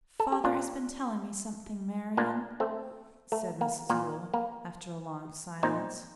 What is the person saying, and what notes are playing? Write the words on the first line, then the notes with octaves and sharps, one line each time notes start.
'Father has been telling me something, Marian,' said Mrs Yule after a long silence.
A4
G4
A#2 D4 F4
A#2 A#3 D4
A3 C4
A3
A#3
A#2 A#3
A#3
A#2 C4 D#4